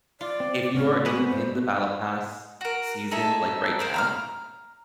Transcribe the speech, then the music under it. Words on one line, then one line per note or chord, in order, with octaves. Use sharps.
If you are in th in the BattlePass season, like, right now,
F4 D5
C4
A2 C#3 B3 C#4
G#3 C4 F#4 B4
G#2 A3 C5
F#4 A#4
D#4 G#4 A4 E5
G#4 A#4 C5
A#5 B5 F6